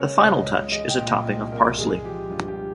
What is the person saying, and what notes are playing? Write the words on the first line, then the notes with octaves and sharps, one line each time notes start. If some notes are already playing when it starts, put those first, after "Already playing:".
The final touch is a topping of parsley.
Already playing: C#3 G#3 A#4 C#5
C#2 D#5
C#2
G#3 D#5
G5
A#2
D#5
C2
C2 A#4
G#3 G#4
F3 G4
G2 F4
G4